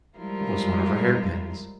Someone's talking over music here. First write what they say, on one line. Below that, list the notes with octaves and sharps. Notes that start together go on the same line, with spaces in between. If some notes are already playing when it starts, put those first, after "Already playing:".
It was one of her hairpins.
F3 G3 G#3 E4 F4 A#4